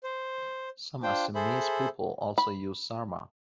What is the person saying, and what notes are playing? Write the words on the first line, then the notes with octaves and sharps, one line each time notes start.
Some Assamese people also use Sarmah.
C5
D4 F4 C5 G5
G#4 A4 C5 E5 B5
B5